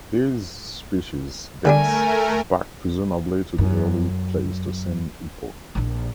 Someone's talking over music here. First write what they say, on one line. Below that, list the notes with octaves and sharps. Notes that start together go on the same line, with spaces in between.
This species dates back presumably to the early Pleistocene epoch.
D3 G3 A3 D4 A#4 G#5
F#2
A#1 D4